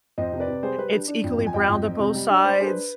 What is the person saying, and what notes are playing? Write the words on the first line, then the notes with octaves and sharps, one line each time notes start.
it's equally browned on both sides
F2 C5 D#5
C3
B4 D5
C3
G3 G#4 C5
G3 B4
D4
D4
F2
F2
G#5
F2 D#5 G5
F2
F2
C3
G3
D4
G3 C5
D5
D4 G#4 C5
B4